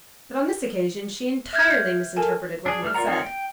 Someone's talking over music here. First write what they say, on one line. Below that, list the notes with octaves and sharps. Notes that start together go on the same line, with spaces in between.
But on this occasion she entirely misinterpreted what he had said.
E5 F6 G6 G#6
G6
A4 A#4 G#5 A5
D4 G#4
G3 A3 F6
F4 A#4 D5 F#5 A#5
C4 D#4 F4 A#4 C#5
G5